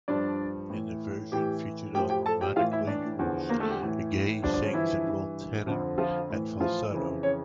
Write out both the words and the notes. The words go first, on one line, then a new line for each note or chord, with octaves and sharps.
In the version featured on "Romantically Yours", Gaye sings in both tenor and falsetto.
G2 F3 D4 D5
A2 E3
A2 E3 G4 G5
A2 F3 G4 G5
G4 G5
A4 A5
G4 G5
A2 E3 F4 F5
E4 E5
D4 D5
E2 D3 F3
A#3 A#4
A3 A4
G3 G4
A2 E3
G2 D3 F3 D4
D4
C#4
E3 E4
G2
E3
F2 D3 F3
F3 F4
A2 E3
F3 F4
F2 C#3 E3
C#4 C#5